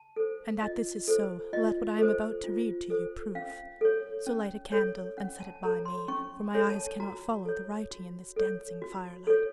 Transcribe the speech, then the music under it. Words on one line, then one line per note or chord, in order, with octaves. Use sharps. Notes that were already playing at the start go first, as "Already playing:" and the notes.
And that this is so let what I am about to read to you prove; so light a candle and set it by me, for my eyes cannot follow the writing in this dancing firelight.'
Already playing: A5
A4 C5
F4 D#5
A4 C5
F4 D#5
A4 C5
F4
A4 C5
C#4 F5
A4 C#5
C#4
A4 C#5
C#4 F#5
A5
A4 C#5 A#5
C6
C#4 C#6
A4 C#5
A5
F#4 A#5
A4 C#5
F#4
A4 C#5
F#4
A4 C#5